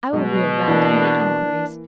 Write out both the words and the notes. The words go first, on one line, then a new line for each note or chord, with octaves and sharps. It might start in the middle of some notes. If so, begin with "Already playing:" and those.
I will reel round and make inquiries.'
B2 F#3 G#3
E3 A#3 D4